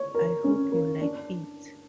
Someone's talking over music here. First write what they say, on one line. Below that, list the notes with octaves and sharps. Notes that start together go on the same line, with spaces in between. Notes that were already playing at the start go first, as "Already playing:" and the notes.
I hope you like it.
Already playing: C#5
A#4
C#4
A#3
D4